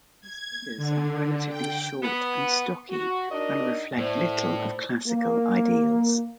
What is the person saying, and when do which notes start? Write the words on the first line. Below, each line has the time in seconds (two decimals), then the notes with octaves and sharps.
His figures are relatively short and stocky, and reflect little of classical ideals.
0.21 G#6
0.77 D3
1.49 G5
2.03 B3
2.90 F#4
3.31 D4 D#4 F#4 A#4 D5 D#5
3.98 A2 C5 D5
5.08 A#3